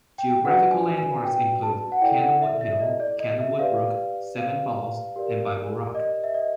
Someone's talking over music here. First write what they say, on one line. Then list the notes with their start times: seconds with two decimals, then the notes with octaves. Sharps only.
Geographical landmarks include Candlewood Hill, Candlewood Brook, Seven Falls and Bible Rock.
0.18 G5
0.44 D4 F#4 B4 D5 F#5
0.71 G#5
0.98 G#5
1.24 G5
1.63 A5
1.92 F#5
2.02 E4 A4 D5 G5
2.21 F#5
2.42 E5
2.61 E5
2.80 D#5
3.00 D5
3.20 D#5
3.40 E5
3.59 G4 B4 D5 F5
4.38 F5
5.16 G4 A#4 D5
5.95 D#5
6.24 E5
6.34 D#5